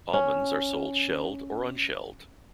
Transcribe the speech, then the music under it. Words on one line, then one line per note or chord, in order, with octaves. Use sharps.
Almonds are sold shelled or unshelled.
C#4